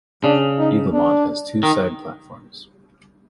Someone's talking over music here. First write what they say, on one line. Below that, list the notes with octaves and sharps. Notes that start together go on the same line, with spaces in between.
Eaglemont has two side platforms.
C#3 D4
D#4
D4
D#3